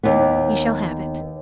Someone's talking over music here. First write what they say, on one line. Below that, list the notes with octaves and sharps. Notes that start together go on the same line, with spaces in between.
"You shall have it."
D#2 B3